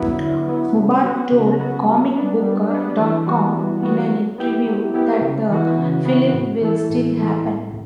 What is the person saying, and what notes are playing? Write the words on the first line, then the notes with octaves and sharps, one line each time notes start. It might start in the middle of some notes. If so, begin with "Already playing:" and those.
O'Barr told comicbook dot com in an interview that the film will still happen.
Already playing: D3 F#3 B3 E4
D3
F#3 B3 E4
C#3
F#3 B3 F#4
C#3
F#3 B3 F#4
G3
B3 D4
G3
B3 D4
E3
G3 B3 F#4
E3
G3 B3 F#4
F#3
B3 E4 G4
F#3
B3 E4 G4
C#3
E3 B3 F#4
C#3
E3 B3 F#4
A2
E3 A3 E4 A4
A2
E3 A3 E4 A4
A2